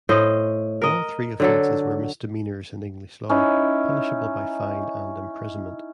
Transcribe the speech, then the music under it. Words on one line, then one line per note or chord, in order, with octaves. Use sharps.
All three offences were misdemeanours in English law, punishable by fine and imprisonment.
A2 C5 D#5
A#4 D#5
D3 F#3 A4
C#4 D#4 E4